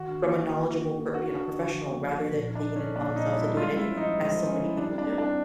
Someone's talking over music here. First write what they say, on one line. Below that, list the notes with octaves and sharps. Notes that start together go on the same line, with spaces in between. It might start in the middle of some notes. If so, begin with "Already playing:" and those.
from a knowledgeable per you know, professional rather than taking it upon themselves to do it anyway, as so many people do.
Already playing: D#3 F#4
D4
A#3
D#3
D#3
A#3
D4
A#3
D4 F#4
D4
D4
D3
F3
A#3
F3
F3
A#2
D4 D#4
D#4
C#4
D#4
A#3 D4
A#2 D#4
G3
E4
G3
G#3 F4
C#4
E4
F3
D#4
F3
G#3
F3
C#4
E4
G3 D4
C4 D4
D#4
D4
C4